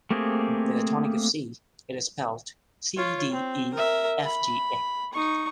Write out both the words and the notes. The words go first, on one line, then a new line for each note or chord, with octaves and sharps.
With a tonic of C, it is spelt: C. D. E. F. G. A.
A3 A#3 C4 G4 G#4
F4 C#5
C4
A#4 E5
B5
D#4 C#6